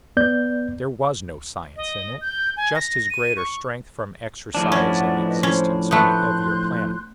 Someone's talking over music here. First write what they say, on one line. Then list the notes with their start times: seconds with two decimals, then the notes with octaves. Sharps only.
There was no science in it, just his greater strength from exercise and existence on a heavier planet.
0.17 B3 D5 G6
1.77 D#5
2.21 G6
2.57 G#5
2.75 A#6
3.10 D#7
3.37 C#6
4.55 A2 F3 D4 G#4
4.72 C#4 D5 E5 F#5
5.27 B4 D#5
5.43 C#4 C5
5.91 A3 B3 C6 F#6 G6